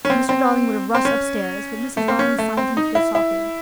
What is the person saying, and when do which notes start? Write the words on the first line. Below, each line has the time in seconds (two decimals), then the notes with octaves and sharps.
Mr. Darling would have rushed upstairs, but Mrs. Darling signed him to go softly.
0.05 C#4
0.10 C4
0.29 C4
0.95 C4
1.05 C#4
1.97 A3
2.08 C4
2.19 C#4
2.38 A3
2.57 C4
2.77 D#4
2.95 E4
3.15 E4